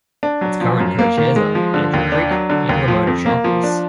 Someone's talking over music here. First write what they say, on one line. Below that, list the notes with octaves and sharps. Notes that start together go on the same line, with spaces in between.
Its current Co-chairs are Andrew Creak and Ramona Sharples.
D4
F#3
F3
F#2
A#3
D#3
G#3
F3
D3
D#2
D4
F#3
D3
D#2
F3
F2
A#3
F3
D4